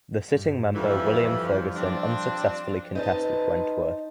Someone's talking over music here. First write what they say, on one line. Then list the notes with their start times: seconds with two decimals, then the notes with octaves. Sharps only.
The sitting member William Fergusson unsuccessfully contested Wentworth.
0.28 G2
0.74 F2 D3 E3 F3 G3
1.75 C4 D4
2.95 D#4 B4 C5 D#5 F#5 A5